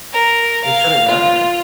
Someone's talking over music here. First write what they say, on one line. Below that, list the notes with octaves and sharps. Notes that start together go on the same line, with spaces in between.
it shouldn't matter.
A#4
F5
F4